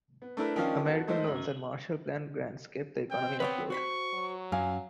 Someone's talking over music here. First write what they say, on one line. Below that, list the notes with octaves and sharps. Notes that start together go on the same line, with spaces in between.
American loans and Marshall Plan grants kept the economy afloat.
B3
A3 D4 E4 A#4 B4
D#3 F3 C#4 D4 F5
B3 F#4 A4
G#3 A3 D#4 C5
F#2
C4 G5
B3 B4 C#5 G5
F#4 C5 B5 C#6
F#3
F#2 F5 G#5